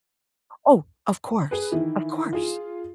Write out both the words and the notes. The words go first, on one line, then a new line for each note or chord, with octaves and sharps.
Oh, of course, of course.
G#4 B4
D#3 E3 E4
F4 G#4